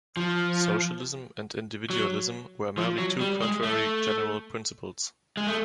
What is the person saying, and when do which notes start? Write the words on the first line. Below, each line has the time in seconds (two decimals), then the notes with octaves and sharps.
Socialism and individualism are merely two contrary general principles.
0.17 F3
1.90 F#3
2.78 F3
2.98 F#3
3.21 G3
3.42 G#3
3.63 A3
5.37 G#3
5.47 A3